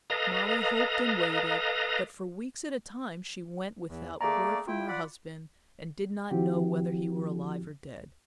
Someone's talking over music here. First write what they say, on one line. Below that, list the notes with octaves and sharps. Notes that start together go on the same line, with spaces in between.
Molly hoped and waited, but for weeks at a time she went without word from her husband and did not know whether he were alive or dead.
A4 B4 D#5 F5 A#5 D#6
E2
A3 A#3 G#4 D5 A#5
E4 F4 G5
D5 F#5 B5
D#3 F3 C4 E4 F#4 G4